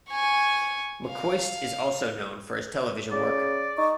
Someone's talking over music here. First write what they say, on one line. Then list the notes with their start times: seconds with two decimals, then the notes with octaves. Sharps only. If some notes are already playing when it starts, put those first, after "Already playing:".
McCoist is also known for his television work.
0.11 G#5 C#6
1.08 F5
3.12 C#3 D5
3.78 D#4 C#6